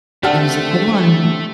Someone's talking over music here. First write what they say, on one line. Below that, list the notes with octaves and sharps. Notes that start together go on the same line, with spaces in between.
It was a good one.
D3 A3 C4 D4 G4 A4 F5 F#5